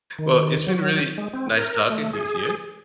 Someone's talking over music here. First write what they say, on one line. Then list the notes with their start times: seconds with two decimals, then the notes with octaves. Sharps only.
Well, it's been really nice talking with you.
0.19 D#3
0.67 F#3
1.18 G#3
1.33 C4
1.57 A#4
1.90 A3
2.13 G#4